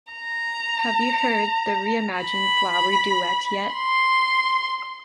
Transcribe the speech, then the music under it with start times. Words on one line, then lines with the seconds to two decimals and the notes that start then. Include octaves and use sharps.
Have you heard the re-imagined Flower Duet yet?
0.13 A#5
2.19 B5
3.74 C6